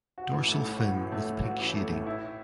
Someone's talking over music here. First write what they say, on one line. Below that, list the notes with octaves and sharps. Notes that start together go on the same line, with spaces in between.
Dorsal fin with pink shading.
F#4
A1
A3
A2
F#4
A1
A3
A2
F#4
A1
A3
A2
E4